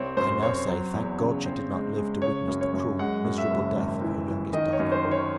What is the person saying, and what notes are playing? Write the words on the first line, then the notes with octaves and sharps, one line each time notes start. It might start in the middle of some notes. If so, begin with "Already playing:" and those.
I now say, Thank God she did not live to witness the cruel, miserable death of her youngest darling!
Already playing: C2 C4 C#5
F#2 C5
C4 C#5
F#3
E2
C#3
C4
G#3
G#3
C#3 C#5
F#2
C#5
F#2
G#3 F#5
F#2
E5
F#1
G#1
E3
E3
D#3 D#5
C#5
F#2
C5
D#3
C#5